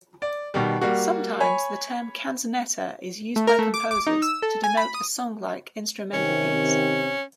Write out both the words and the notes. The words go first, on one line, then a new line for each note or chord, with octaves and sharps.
Sometimes the term canzonetta is used by composers to denote a songlike instrumental piece.
D5
B2 D#3 G3
G3 A#3 F#4
C#5 G#5 B5
A3
A#4
A3
D6
D6
D#4
E6
A4
G#5
B5
D#6
C3 D#3 C#4